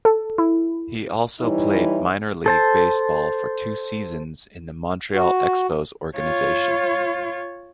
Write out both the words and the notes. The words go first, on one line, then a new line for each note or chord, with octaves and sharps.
He also played minor-league baseball for two seasons in the Montreal Expos organization.
A4
E4
E3 G3 D#4 E4 C#5
A4 C5 A5
F#4
F4 C#5